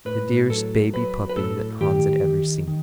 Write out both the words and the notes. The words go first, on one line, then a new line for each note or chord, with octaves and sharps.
The dearest baby puppy that Hans had ever seen.
A2 B4
F#3 A4
F#3 B4
B4
A2 A4
D#3 G4
D#3
D#3